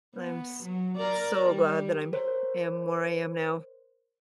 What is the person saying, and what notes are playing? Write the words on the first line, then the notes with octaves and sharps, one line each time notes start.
I'm s so glad that I'm am where I am now.
B3
F#3
A#4 D5
G3
A#4 C5 C#5